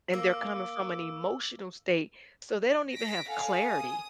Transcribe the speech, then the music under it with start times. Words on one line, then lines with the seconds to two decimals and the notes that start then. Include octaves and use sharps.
and they're coming from an emotional state, so they don't even have clarity.
0.13 A#3 D6 E6
2.93 A#6 B6 D7
3.29 A4 F5 F#5 G#5
3.67 D#6